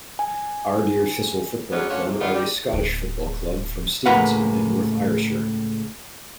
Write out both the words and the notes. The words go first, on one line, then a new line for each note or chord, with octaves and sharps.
Ardeer Thistle Football Club are a Scottish football club from Stevenston in North Ayrshire.
G#5
F#3 G#3 B3 C#4 D4
A3 C#4 D4 F4 F#4
D#2 G#2 C3
G#2 D#3 G#3 B3 F4
G3
D1 D4
C#2 A2 A#3 B4 F5 F#5